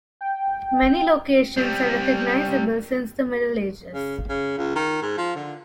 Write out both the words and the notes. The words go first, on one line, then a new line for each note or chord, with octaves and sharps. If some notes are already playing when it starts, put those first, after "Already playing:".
Many locations are recognizable since the Middle Ages.
G5
G3 C4
C#3
C#3
C#2
D#3
G#2
F3
D3